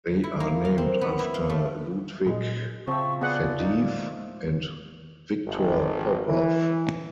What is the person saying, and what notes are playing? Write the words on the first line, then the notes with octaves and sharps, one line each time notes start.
They are named after Ludvig Faddeev and Victor Popov.
E4
A#3
F5
C4
B3
E4
F5
A3
A#2 G#3
C#3 F3 C4 E5 C#6
B3 G#4 D5 F#5
D#4
G#3
G#1
E3